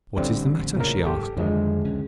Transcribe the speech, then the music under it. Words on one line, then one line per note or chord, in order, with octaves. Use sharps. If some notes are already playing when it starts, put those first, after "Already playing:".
'What is the matter?' she asked.
A1 D3 G3 C4
A1
A#2 C#3 A#4
F#1 G#2 G4 A4
F2 D3 D#3 F3 F#3 G#3
C#2 C#4